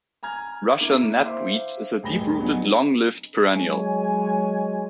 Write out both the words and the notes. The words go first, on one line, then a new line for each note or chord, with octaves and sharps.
Russian knapweed is a deep-rooted long-lived perennial.
G#5 A#5 F6 G#6
A#3 E4 D6 D7
C5 E5 F5 C6 D6
D#1 A1 G#4 B5 A#6 G7
F#3 B3 D4 D#4 F#4 G#4
F#3 G#3 C#5 G#5